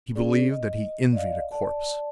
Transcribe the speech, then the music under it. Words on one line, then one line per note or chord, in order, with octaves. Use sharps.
He believed that he envied a corpse.
C#4 G#4 D5
D#5
D5 D#5 F5
D5 A5